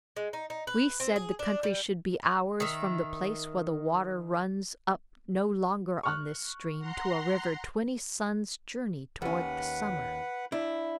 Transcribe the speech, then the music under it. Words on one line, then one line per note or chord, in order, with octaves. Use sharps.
We said the country should be ours from the place where the water runs up no longer on this stream, to a river twenty sun's journey toward the summer.
G#3
D#4
D#4
B4
C4
G#4
D4
G3
D#3 E5
C#6 F6 F#6
F#5 A#5 C6
D#2 C#4 B4 F#5
D4 E4